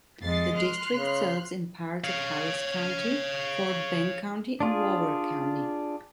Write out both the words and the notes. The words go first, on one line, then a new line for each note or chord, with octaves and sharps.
The district serves in parts of Harris County, Fort Bend County and Waller County.
F2 G#3 A6 C7
C6 F6 F#6
C#3
C#5 F5
D4 F4 G#4